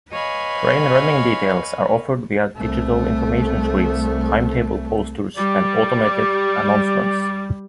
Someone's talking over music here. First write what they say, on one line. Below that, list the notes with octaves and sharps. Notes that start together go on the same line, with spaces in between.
Train running details are offered via digital information screens, timetable posters and automated announcements.
B4 C#5 D#5 F5 G#5 B5
C2 A3
G3 D5